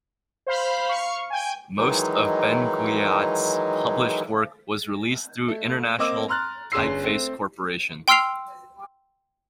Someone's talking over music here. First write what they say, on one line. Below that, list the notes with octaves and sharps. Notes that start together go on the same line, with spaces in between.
Most of Benguiat's published work was released through International Typeface Corporation.
C5 F5 B5
F5 C#6
G5 G#5
D#3 E3 F#3 G#3 D#4
A3
A#3 C4 D#5 D6 E6
A#5 C6 F6 F#6 A6
G1 C#4 G#4 C6 E6 C7
A3 C4
G5 C6 E6 F6 C7 F7